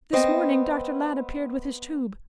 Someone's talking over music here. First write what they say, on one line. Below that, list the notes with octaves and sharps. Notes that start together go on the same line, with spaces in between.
This morning Dr. Ladd appeared with his tube.
B3 C4 D#5